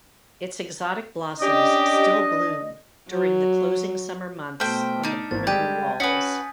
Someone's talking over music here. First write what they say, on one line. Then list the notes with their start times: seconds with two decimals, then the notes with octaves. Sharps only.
Its exotic blossoms still bloom during the closing summer months on the Punahou walls.
1.41 C#4 D4 G4 D#5
3.09 F#3
4.60 B2 A3 C5 G5 A5 F6 B6
5.03 D4 D#4
5.31 G#1 A#3 C5 A6
5.47 G3 G#3 G4 G#4 G6 G#6 D#7
6.00 C#4 F#4 B4 G#5 D#6 B6